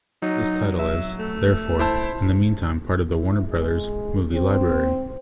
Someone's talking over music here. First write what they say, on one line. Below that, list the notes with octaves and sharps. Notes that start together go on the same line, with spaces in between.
This title is, therefore, in the mean time part of the Warner Bros’ movie library.
F#3 D#4
E5
A3
E4 C5 A5
E4
G#3
C4